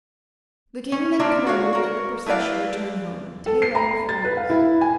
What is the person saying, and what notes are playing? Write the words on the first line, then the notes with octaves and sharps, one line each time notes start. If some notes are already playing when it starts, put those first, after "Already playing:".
The King then commanded that the procession return home, tail-end foremost.
C#4
A#3 D4 F4 D5 E5
F#4 C#5 F5
F#4 A#4
A3 E4 B4 D5 F5
A4
C7
A#5
A6
B4
F5
E4
G#5